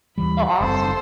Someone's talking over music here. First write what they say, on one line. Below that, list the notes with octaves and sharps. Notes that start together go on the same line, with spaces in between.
Oh, awesome.
D#2 E3 G3 B5
F#1 G3 C4 A4 C5